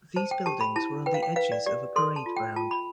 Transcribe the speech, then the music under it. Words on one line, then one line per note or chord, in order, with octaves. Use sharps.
These buildings were on the edges of a parade ground.
C5 A5
G5
G4 A5
B5
E4 A5
B4 G5
F5
G5
B4 F5
D5
G4 D5
A4 C6
A5
F4
G5
F4 A5
B5